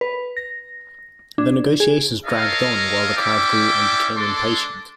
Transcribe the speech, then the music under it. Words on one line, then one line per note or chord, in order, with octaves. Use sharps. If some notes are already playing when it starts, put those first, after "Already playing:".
The negotiations dragged on while the crowd grew and became impatient.
B4
A#6
D4
G#4
A4 A#4 C#5 D#5 F5
C#4 E4 D5 E5 G5 D6
G#3 D4 A4 A5 C6 D6